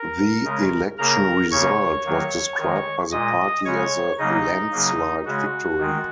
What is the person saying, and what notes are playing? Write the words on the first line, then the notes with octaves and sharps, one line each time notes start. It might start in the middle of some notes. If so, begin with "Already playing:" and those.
The election result was described by the party as a landslide victory.
Already playing: A#4
C#3 G#3
C#3 A#3 A#4 A#5
C#3 A#3 C#5 C#6
D#3 F#3 A#3
D#3 G#3
A#2 G#3 D#5 D#6
C#3 G#3 C#5 C#6
C#3 F#3 A#3 D#4 D#5
C#3 F#3 A#3
C#3 G#3 F#4
D#3 G#3